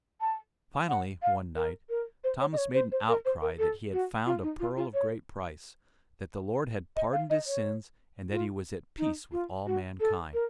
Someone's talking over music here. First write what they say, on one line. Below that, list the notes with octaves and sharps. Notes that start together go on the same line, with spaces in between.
Finally, one night, Thomas made an outcry that he had found a pearl of great price, that the Lord had pardoned his sins, and that he was at peace with all mankind.
A5
F#5
F5
A#4
A#4
C5
C#5
D#5
C#5
C5
C5
A#4
C5
A#4
A4
F#4
F4
D#4
F4
F4
C#5
D#5
F5
D#5
C#5
F4
D#4
F4
F#4
A4
A#4